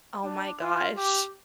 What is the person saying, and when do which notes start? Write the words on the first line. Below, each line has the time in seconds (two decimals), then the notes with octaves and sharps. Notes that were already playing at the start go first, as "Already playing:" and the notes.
Oh my gosh.
0.24 D4
0.61 F4
0.97 G4